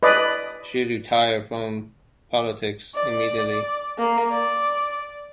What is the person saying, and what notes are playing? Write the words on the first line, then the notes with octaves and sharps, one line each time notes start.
She retired from politics immediately.
B4 D5 D#5
D5
A#3
D5